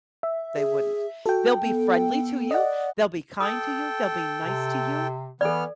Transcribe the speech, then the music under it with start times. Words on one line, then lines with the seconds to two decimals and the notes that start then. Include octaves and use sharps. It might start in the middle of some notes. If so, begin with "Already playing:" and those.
they wouldn't. They'll be friendly to you, they'll be kind to you, they'll be nice to you,
0.23 E5
0.56 G#4
1.26 F#4 A4 G5
1.64 B3
2.51 D5 D#5 F#5
3.40 A4 G5 D#6
4.45 C3
5.41 E3 B3 A4 D5 F6